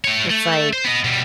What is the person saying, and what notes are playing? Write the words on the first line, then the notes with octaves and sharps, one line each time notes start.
It's, like,
A3 C#5
A3
C5
B3 D#5
B2 G3